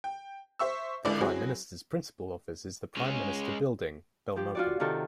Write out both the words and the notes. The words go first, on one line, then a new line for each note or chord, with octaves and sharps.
The Prime Minister's principal office is the Prime Minister Building, Belmopan.
G5
C5 E5 C#6 E6
G#1 C#2 D3 E4 D5
F#3 C4 E4 F#4 G#4
G#3 C#4
F3 G4
F4 F#4 D5
C3 D#3 F4 F#4 A4